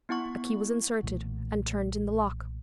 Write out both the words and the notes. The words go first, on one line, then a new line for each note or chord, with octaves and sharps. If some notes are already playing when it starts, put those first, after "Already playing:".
A key was inserted and turned in the lock.
B3 E4 F#5 C#6
B1 A#2 E3 A3